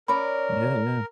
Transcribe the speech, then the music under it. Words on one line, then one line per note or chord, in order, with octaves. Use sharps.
Yeah. Yeah.
C#4 A#4 C#5 D5 B5